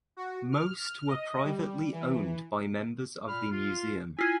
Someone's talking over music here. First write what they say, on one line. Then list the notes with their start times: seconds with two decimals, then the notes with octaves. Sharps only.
Most were privately owned by members of the museum.
0.17 F#4
0.52 F6
1.08 D#5
1.44 G3
1.92 E3
3.28 A#2 B5 F6
3.51 F4
4.19 E4 F4 G#5